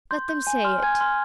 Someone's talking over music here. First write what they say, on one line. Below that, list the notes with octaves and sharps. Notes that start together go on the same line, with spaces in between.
Let them say it.
C6 G6
G6
G#5
C6 F6
G#5 G#6
C6 F6